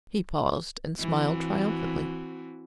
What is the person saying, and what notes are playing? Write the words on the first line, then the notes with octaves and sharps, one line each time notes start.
He paused and smiled triumphantly.
E3 C4 F#4